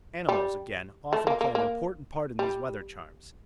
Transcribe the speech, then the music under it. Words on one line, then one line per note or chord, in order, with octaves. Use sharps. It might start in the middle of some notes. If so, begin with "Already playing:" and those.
Animals, again, often play an important part in these weather-charms.
G3
A3
A#3
A#3
A#3
G3